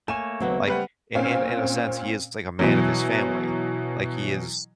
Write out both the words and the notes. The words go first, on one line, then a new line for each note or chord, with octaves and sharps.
like, in in in a sense, he is, like, a man of his family. Like, he is
A3 A#3 C#5 G#5 E7
D#2 C#3 F#3 B3 C4
G3 C4 B4 F#5
A#2 C4 C#4 F5
B2 E3 F#3